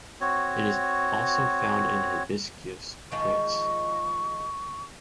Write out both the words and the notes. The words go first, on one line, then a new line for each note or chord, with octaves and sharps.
It is also found in "Hibiscus" plants.
C4 F#4 C#5
D#3 F3 G#3 C#6